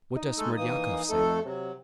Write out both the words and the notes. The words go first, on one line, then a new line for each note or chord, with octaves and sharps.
What does Smerdyakov say?
D#4
G#3 A3 A4
E3 A#3 D#6
F2 A3 A4
C3 F#3